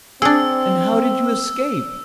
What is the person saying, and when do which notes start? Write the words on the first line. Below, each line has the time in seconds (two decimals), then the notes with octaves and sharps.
"And how did you escape?"
0.22 C4 D4 G#4 E6